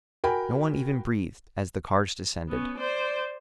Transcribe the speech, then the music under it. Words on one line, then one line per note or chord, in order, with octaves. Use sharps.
No one even breathed as the cards descended.
F#4 A#4 G5 G#5 B5
B3 C#4
C5 D5